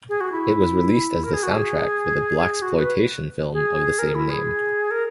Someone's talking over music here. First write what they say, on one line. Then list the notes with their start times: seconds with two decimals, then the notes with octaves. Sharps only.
It was released as the soundtrack for the Blaxploitation film of the same name.
0.09 G#4
0.21 F#4
0.32 E4
1.24 A#4
1.33 G#4
1.43 F#4
1.52 G#4
2.62 F#4
2.77 B4
3.53 G#4
3.99 A#4
4.15 E4
4.30 G#4
4.91 A#4